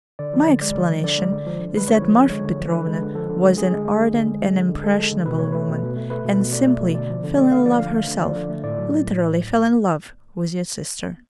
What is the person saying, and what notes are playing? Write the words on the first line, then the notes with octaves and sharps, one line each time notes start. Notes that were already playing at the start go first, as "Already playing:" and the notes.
My explanation is that Marfa Petrovna was an ardent and impressionable woman and simply fell in love herself--literally fell in love--with your sister.
D3 D5
F3
D3
G#3 D5
D3
F3
D3 D5
G#3
D3
F3
D3
G#3 B4
D3 C#5
F3
D3
G#3 C#5
D3
F3
D3 B4
G#3
D3
F3 A4
D3
G#3
D3 G#4
G#3
G#3
D3
D3
G#3
G#3
D3
D3
G#3 A4
G#3
D3
B2 B4
A3 C#5
A3 B4
B2
B2
A3
A3 B4
B2
B2
A3 D5
A3
B2
D3 D5
F3
D3
A3 D5
D3 F5
F3 D5
D3 F5
A3
D3
F3 D5
D3
A3
A2 D5
F#3
A2